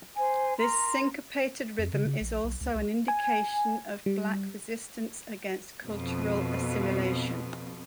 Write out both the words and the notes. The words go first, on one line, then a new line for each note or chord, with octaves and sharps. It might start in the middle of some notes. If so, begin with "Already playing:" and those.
This syncopated rhythm is also an indication of Black resistance against cultural assimilation.
C5 G#5
A#4 A#5 C6
F2
C#3
C#3
A#1
B1
C#2
C2
G#5
G3
F2 B2